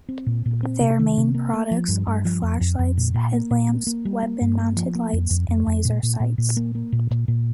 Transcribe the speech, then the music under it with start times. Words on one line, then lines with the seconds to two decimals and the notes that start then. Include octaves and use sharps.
Their main products are flashlights, headlamps, weapon-mounted lights and laser sights.
0.09 C4
0.26 A#2
0.46 A#2
0.63 C4
0.80 C3
0.99 D#3
1.18 C3
1.34 A#3
1.53 A#3
1.71 F3
1.88 G2
2.07 G2
2.25 F3
2.43 F2
2.61 F2
2.79 F2
2.97 A#2
3.14 A#2
3.33 A#3
3.51 A#2
3.69 A#3
3.87 A#3
4.05 G3
4.23 A#3
4.41 G2
4.59 A#3
4.77 F3
4.95 A#3
5.13 F2
5.30 F2
5.48 F2
5.67 F2
5.85 A#2
6.03 A#2
6.20 A#2
6.38 A#2
6.57 A#3
6.75 A#3
6.92 A#2
7.11 A#2
7.28 A#2